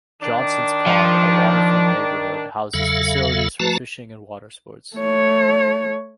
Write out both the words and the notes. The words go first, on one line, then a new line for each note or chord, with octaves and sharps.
Johnson's Pond, a waterfront neighborhood, houses facilities for fishing and watersports.
D#3 D4
F3
E2 C#3 F#3 A4 E5 F5
F3 A3 F#4 B4 A5 A#5
A3 C#5